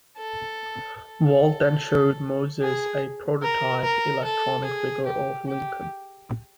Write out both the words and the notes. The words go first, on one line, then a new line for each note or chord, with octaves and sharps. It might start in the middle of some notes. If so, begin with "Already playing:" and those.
Walt then showed Moses a prototype electronic figure of Lincoln.
A4
A4
G#4
A#4
A#4
A4
G#4
G4
G4